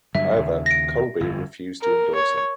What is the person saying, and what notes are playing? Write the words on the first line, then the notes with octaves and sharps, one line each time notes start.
However, Kolbe refused to endorse him.
G2 D3 F#3 E5
D#2 C#3
A#6 D7
G1 F2
A#4
C#5